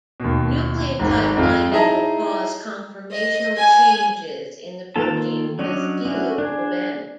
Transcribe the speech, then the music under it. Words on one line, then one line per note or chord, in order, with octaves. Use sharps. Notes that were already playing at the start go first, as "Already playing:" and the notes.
Nucleotide binding will cause conformational changes in the protein because the P-loop will bend.
D#2 B2
G#1 G#2
F2 F4
D#4 E4 G#4 D#5 A5 A#5
D#5
G#5
D#3 A#3 F4 A4 A5
F#3 C#4 D4 C#5 D#5
C#4 D4 E4 F#4
D4 G#4